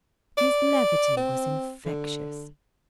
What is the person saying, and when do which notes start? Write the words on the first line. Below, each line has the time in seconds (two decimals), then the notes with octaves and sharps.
His levity was infectious.
0.38 D5
1.17 C4
1.85 D3